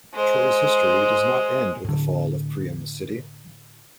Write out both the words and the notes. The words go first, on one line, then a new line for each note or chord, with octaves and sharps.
Troy's history does not end with the fall of Priam's city.
G#3 C5
A2 D3